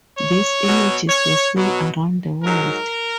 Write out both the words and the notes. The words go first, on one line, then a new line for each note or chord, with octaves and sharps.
These images were seen around the world.
C#5
B2 F#3
C#5
B2 F#3
G#2 F#3 A#4